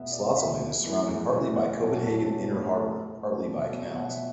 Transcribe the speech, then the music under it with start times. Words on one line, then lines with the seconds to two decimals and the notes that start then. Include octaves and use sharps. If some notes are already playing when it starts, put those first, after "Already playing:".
Slotsholmen is surrounded partly by Copenhagen Inner Harbour, partly by canals.
Already playing: E2 B2 B3 E5
0.12 E2 D5
0.36 B2 B3 E5
0.60 E2
0.84 E3 A3
1.08 E2
1.32 E3 A3
1.56 E2 F#5
1.79 B2 F#3 A3
2.03 E2 A5
2.27 B2 F#3 A3 A5
2.51 A2 B5
2.75 A3 A5
2.99 A2
3.23 A3
3.47 B2
3.70 F#3 B3
3.94 B2 F#5
4.10 E5